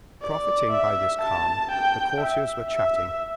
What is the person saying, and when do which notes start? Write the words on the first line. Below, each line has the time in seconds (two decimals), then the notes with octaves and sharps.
Profiting by this calm, the courtiers were chatting.
0.22 D5
0.71 E5
1.21 A5
1.71 G5
2.21 E5
2.70 E5